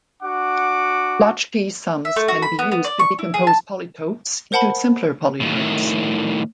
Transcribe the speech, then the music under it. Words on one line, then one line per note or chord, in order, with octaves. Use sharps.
Blaschke sums can be used to decompose polytopes into simpler polytopes.
D4 F#4 F#5 D6
E5
A3
F#4
B5
B3
B3
D5
C#6
E4
G#4
A5
A#4 C5 F#5 A5 B5
D#2 A2
A2 D#3